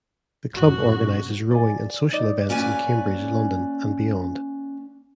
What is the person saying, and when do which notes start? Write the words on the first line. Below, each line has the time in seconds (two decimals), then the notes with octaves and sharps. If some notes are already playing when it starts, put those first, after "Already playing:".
The Club organises rowing and social events in Cambridge, London and beyond.
0.54 G#1 F#2 B2 F#4
1.51 D5 G#5
2.12 D#4 D5
2.49 A#3 C#4 B4 D5 G#5